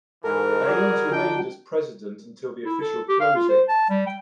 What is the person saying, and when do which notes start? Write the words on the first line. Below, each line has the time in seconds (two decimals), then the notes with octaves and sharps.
Baines remained as president until the official closing.
0.24 G#2 E3 A4 A#4
0.66 G3 F#4 G#4 D5
1.11 F3 D4 D#4 F#4 G5
2.66 E4
2.81 A4
3.08 G4
3.20 F5
3.35 F4
3.49 C5
3.69 A5
3.89 G3
4.07 G5